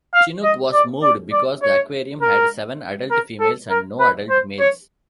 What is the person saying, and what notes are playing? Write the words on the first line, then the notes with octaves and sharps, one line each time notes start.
Chinook was moved because the aquarium had seven adult females and no adult males.
F5
D#5
D5
D5
D5
C#5
A#4
A#4
A4
A#4
B4
C5
C#5